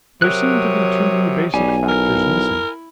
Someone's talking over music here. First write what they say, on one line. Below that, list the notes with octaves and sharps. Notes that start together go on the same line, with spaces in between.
There seem to be too many basic factors missing.
C3 F#3 A#4 C#5 D#6 F#6
B1 G3 G#5
E4 A#4